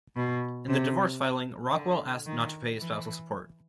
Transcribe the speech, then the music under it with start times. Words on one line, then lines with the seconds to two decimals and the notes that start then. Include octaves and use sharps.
In the divorce filing, Rockwell asked not to pay spousal support.
0.16 B2
0.69 C3
1.73 D3
2.26 D#3
2.79 E3